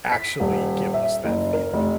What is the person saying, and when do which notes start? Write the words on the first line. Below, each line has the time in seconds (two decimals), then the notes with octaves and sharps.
actually give us that feeling.
0.12 B6
0.40 D#1
0.94 E5
1.25 F#1
1.53 A#4
1.73 F1